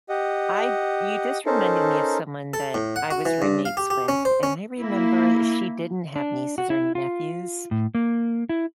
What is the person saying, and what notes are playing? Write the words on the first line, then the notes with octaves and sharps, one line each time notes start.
I d you just reminded me of someone that I was roommates with, and I remember i she didn't have nieces or nephews.
G4 D#5 F#5
C#4 D#4 A4 A#4 C5
A4
A2
F#5
F#4
E3
G2
F5
G4
G4
C#4
C5
C#4
A#3 E4
D4
F#4
E4
F4
A2
A#3
E4